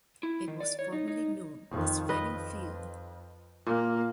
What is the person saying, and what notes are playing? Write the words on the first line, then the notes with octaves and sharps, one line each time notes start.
It was formerly known as Fanning Field.
E4
D#3
D5
C#5
D#4
D#4
F2 D#3
F2 B4 D#5
A#2 A#3